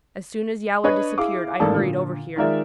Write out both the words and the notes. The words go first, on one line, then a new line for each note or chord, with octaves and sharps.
As soon as Yowler disappeared I hurried over here.
D4 B4 C#5 D#5
E4 G#4 F5 D6
A1 G#2 A#3 A4 D5 A5
A#2 D3
D#3 G#3 F4 A#4 D5 E5